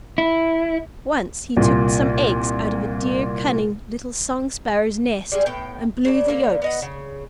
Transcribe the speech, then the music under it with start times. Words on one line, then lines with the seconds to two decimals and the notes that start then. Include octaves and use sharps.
Once he took some eggs out of a dear, cunning, little song-sparrow's nest, and blew the yolks.
0.18 E4
1.57 C2 A#2
5.32 G3 G#3 G#4
5.46 A2 B3 G5
6.05 C#3 D4
6.28 D3 A#3 B3
6.62 B3 D#5 F#5
6.82 C#3